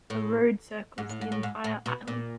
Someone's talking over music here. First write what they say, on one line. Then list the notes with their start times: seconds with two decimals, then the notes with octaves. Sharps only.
A road circles the entire island.
0.10 A2
0.98 G#2
1.09 A2
1.21 G#2
1.32 A2
1.43 G#2
1.64 A2
1.86 B2
2.08 A#2